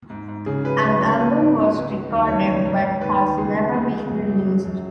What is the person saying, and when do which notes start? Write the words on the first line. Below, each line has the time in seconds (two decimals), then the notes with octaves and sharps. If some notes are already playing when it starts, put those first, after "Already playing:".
An album was recorded but has never been released.
0.10 G#2
0.28 G#2
0.46 C#3 G#4
0.65 F#3 B4
0.82 C#2 B4
1.01 C#3 C#5
1.19 F#3 B4
1.37 G#2
1.55 C#2
1.74 C#2
1.92 F#3
2.10 D#2
2.28 C#2 C#5
2.47 C#2 C#5
2.65 G#2
2.83 G#2
3.01 D#2 B4
3.19 D#2
3.37 C#2 G#4
3.56 C#2
3.74 C#2 G#4
3.92 C#2
4.10 F#2
4.29 F#3
4.47 F#3
4.65 F#2